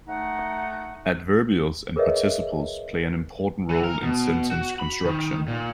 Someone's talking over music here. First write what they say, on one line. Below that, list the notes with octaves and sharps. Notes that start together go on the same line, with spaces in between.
Adverbials and participles play an important role in sentence construction.
A3 D#4 F#5
G#4 A#4 B4 C#5 D#5 E5
E3
A#4
B2
F#4
B5
D#3
A#2